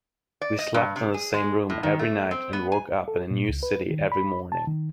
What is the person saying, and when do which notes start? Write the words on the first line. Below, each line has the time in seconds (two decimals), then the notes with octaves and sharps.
We slept in the same room every night and woke up in a new city every morning.
0.41 D5
0.59 D#5
0.74 G2
0.96 C3
1.14 G#4
1.34 G#3
1.70 A2
1.83 D#3
1.99 A3
2.31 C4
2.53 B3
2.72 G#5
3.08 A4
3.31 A#2
3.49 C#2
3.63 B4
3.90 D#3
4.12 B5
4.52 A5
4.67 D#3